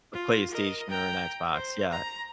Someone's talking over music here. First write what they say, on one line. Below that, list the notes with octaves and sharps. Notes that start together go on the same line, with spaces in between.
A PlayStation or an Xbox, yeah.
F4
A#4 D#5
G5 A#5
C5
A#5